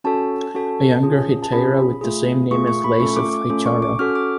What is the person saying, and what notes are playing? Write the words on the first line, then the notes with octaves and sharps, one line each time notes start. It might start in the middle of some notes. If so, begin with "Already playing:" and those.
A younger hetaira with the same name was Lais of Hyccara.
C#4 F#4 A4 A5
C#4 F#4 A4
C#4 F4 G#4
A5
C#4 F4 G#4 B5
A3 F4 G#4
A3 F4 G#4 C#6
C#6
B5
A3 C#4 F4 A4 C#6
D6
D6
A3 C#4 F4 A4 D6
C#6
D6
C#4 F#4 A4 F6
D6